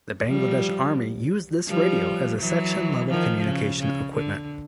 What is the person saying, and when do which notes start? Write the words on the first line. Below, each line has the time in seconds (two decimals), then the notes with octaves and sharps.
The Bangladesh Army use this radio as a section level communication equipment.
0.26 F3 G3
1.67 F3 G3
2.38 E3 F#3
3.09 D#3 F3
3.44 C#3
3.80 C#3
4.16 D3